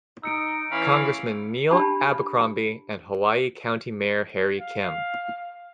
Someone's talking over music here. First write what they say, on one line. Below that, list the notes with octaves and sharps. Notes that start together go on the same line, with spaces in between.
Congressman Neil Abercrombie, and Hawaii County Mayor Harry Kim.
D#4 E6 C#7 D7
E3 C#4 F5 B5
D4 G4 A5 B5
F5